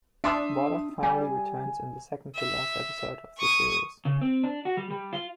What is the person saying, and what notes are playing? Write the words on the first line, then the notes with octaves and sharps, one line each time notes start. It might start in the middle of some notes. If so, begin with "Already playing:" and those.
Warlock finally returns in the second-to-last episode of the series.
D4 E5 C6 D#6
G3 G#5
E5
C#6 D#6
C#3
C4
D4
F#4
G3
G3
F4